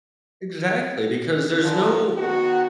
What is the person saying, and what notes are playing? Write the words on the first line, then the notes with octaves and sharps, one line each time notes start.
Exactly, because there's no
A#2 D3 D#3 F3
D#3 B3 F#4